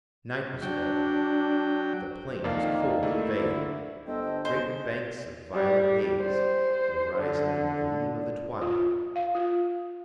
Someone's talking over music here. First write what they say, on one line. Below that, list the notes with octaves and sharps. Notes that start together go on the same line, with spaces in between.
Night was falling, the plain was cold and vague, great banks of violet haze were rising in the gleam of the twilight.
F#3 D4 G5
F2 D#3 A#3 D5 F5
A3 A#3 E4
D3
G1 A4 C5 D#5 G5
D#5
C5 C#5 D#5 G#5
G3
C5
D3
F4
F5
F4